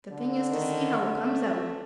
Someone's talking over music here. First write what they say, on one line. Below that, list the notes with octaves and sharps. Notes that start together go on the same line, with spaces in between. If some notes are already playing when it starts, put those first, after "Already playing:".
The thing is to see how it comes out.
D3
D#3
A3